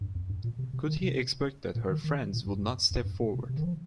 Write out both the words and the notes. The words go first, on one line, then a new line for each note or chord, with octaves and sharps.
Could he expect that her friends would not step forward?
G2
F2
G2
A#2
C3
C3
D#3
C3
A#2
D#3
D#3
A#2
G2
G2
F2
G2
A#2
C3
C3
D#3
F3